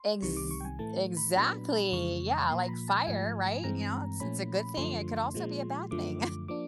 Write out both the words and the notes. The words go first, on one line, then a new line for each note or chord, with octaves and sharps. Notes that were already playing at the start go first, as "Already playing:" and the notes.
Ex exactly, yeah, like fire, right, you know, it's it's a good thing, it could also be a bad thing,
Already playing: C6
C2 C3 D#3 G3 C#6
D6
C#6
G5
G#5
A2 E3 A3 A5
B5
A#2 F#3 B3 D4 B5
F2 C#3 E3 G#3 C#6
A#2 F3 A#3 C6
A#5
B5
A5
G#2 F3 A3 G#5
G2 E3 G#3 C4 A#5
A#2 F3 A3 C#4 B5
F#2 D3 F3 A3 C6
A#2 F3 G#3
F#2 D3 F3 A3 D6
F3 A#3 D4 D6